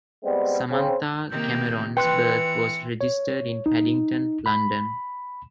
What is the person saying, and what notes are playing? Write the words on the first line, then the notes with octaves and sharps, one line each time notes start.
Samantha Cameron's birth was registered in Paddington, London.
G3 G#3 B3 C4
C#3 C4
C3 D#3 A#3 G6
E3 B4 G5 C6 F#6 C#7
C#5
D#4
B5